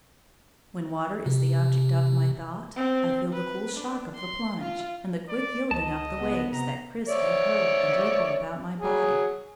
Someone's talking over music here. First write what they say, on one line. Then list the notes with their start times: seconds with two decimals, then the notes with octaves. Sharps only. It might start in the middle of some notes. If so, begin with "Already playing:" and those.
When water is the object of my thought, I feel the cool shock of the plunge and the quick yielding of the waves that crisp and curl and ripple about my body.
1.26 C3
2.76 C4
3.32 B4
3.77 D4
4.15 C6
4.59 F4
5.28 D5
5.71 C#2 D#5 A5
6.20 B3
6.53 C3 A#5
7.09 C#5 D5 E5
8.80 F#3 G#4